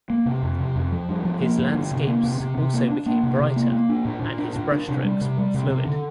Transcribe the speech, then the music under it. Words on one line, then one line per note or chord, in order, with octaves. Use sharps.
His landscapes also became brighter and his brushstrokes more fluid.
A#3
C3
F2
C3
F2
F3
G2
F3
A#3
G2
D3
C3
A#3
C3
C3
C3
A#3
D4
A#3
C3
C3
A#3
A#3
D4
A#2
A#2
D4
A#2
D4
C3
G3
C3
G3
C3
C3
D3